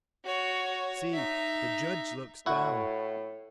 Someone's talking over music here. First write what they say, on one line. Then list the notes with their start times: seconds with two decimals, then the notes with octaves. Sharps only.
See! the Judge looks down ...
0.25 F#4 C#5
1.13 D#4 E5
2.46 A2 E4 F#4 F#5